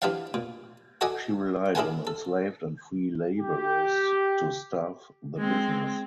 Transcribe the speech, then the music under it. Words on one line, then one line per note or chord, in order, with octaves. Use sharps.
She relied on enslaved and free laborers to staff the business.
E3 D4 G4 D5 F5 F#5
A#2
F#4 A4 D5 D#5 F#5 G#5
D4 E4 G#4 A#4 F#5 G#5
A4
G4
G#3 C4